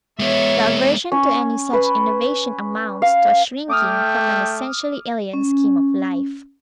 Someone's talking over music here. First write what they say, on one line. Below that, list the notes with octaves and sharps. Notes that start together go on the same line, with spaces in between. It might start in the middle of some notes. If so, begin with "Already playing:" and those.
The aversion to any such innovation amounts to a shrinking from an essentially alien scheme of life.
G#3 B3 C#5 E5
C#4
B4
F5
A3 G5 D6 D#6 F6
C#4